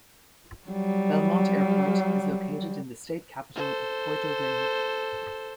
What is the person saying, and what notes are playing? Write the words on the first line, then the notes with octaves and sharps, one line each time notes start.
Belmonte Airport is located in the state capital of Porto Velho.
F#3 G3
A4 C5